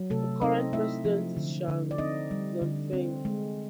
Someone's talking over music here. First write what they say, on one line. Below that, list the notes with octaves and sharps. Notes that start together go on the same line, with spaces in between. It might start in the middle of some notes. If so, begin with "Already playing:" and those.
The current president is Shang Yongfeng.
Already playing: F#3
C3 A3 A4
C4 D#4 D#5
A3 E4 E5
F3
D3
D3
D5
C4 D#4 D#5
G3
D3
C4
G#3